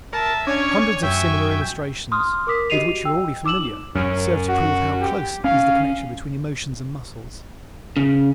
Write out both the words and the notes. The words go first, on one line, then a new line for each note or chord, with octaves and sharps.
Hundreds of similar illustrations with which you are already familiar serve to prove how close is the connection between emotions and muscles.
A#4 E5 A5
C#4 D4 C#5 G#5
F#2 E5 G5 G#5 C#6
C6 D#6 F6
A#4 D6 D#6 B6
F#4 G4 D#5 C7 D#7 F7
G5 E6
D#4 D6 E6 E7 F#7
F#2 C#4
F#4
G4
C#4 F5
C#3